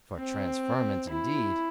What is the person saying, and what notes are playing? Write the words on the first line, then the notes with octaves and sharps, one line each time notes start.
For transferment, indeed!
C4
E4